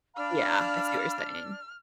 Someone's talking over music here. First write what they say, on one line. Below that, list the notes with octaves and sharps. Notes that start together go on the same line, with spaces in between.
Yeah, I see what you're saying.
D4 F5 B5 F6